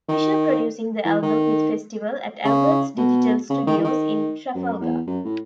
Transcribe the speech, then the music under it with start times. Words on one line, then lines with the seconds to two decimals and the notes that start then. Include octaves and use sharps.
Fisher producing the album with Festival, at Alberts Digital Studios in Trafalgar.
0.09 D#3
1.05 E3
1.22 D#3
2.45 C#3
2.97 B2
3.50 C#3
3.67 D#3
3.78 E3
3.84 D#3
4.55 F#2
4.81 E2
5.07 F#2
5.25 A2